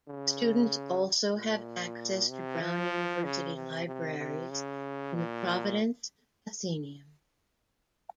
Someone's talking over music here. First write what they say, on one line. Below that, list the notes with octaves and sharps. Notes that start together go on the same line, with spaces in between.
Students also have access to Brown University libraries and the Providence Athenaeum.
C#3
A#2
C3
F3
C#3
C3
C3
C3
C#3
A#2